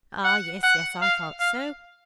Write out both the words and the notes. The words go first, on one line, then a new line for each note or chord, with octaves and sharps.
Ah, yes, yes; I thought so.
F#5
F#5
F5
F5